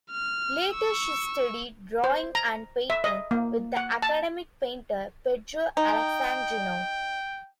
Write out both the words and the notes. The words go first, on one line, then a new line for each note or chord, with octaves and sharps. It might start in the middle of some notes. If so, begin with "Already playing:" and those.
Later she studied drawing and painting with the academic painter Pedro Alexandrino.
F6
C#6 E6
C5
A#5
E5
D#5
A#3
F#5
A5
D#4 G5